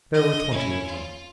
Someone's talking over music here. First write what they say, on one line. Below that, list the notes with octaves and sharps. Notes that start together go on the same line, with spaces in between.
There were twenty of them.
D#5
C#4 E4
F4